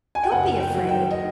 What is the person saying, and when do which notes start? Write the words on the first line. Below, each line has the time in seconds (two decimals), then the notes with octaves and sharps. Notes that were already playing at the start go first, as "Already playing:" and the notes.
Don't be afraid.
0.15 G#5
0.23 G5
0.32 F#1 F#5
0.60 G5
0.74 F#3
0.89 G5
1.11 D#5